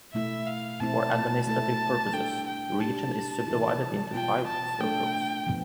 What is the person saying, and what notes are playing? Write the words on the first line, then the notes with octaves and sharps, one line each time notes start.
For administrative purposes, the region is subdivided into five cercles.
B2 A3 E4 E5
F5
B2 A3 C4 E4 A5
A3 E4 A4 A5
G3 D4 A4 G5
G5
G3 D4 G4 A5
C3 E3 G3 B3 E4
B2 G3 B3 F4 G5
A5
A3 D4 A4 G5
F3 B3